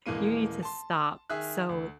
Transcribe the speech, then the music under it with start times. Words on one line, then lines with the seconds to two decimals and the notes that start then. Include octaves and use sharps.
you need to stop." So,
0.06 D#1 E3 G#3 A#3 D#7
0.62 A5 C6
1.30 D#3 G#4 E5 F#6
1.69 D2